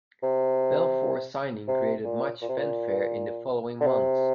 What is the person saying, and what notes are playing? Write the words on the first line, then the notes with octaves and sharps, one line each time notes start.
Belfour's signing created much fanfare in the following months.
C3
C3
A#2
A#2
C3
A#2
D3
C3